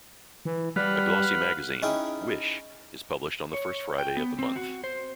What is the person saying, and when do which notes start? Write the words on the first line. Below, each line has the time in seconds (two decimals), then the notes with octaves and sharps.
A glossy magazine, "Wish", is published on the first Friday of the month.
0.45 E3
0.76 G3 B4 F5 F#5
1.82 C#4 D#4 E4 G#4 G5
3.54 C#5
3.98 G5
4.17 B3
4.39 C4
4.55 F#4
4.84 C5